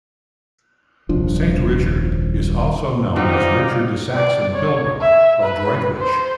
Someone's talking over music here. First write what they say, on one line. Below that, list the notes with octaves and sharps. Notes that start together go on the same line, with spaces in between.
Saint Richard is also known as Richard the Saxon Pilgrim, of Droitwich.
D#1 C2 F3 D4
D3 D#3 G3 B3 C4 D#4 F4 D5
D5
C#5
E5
B4
C5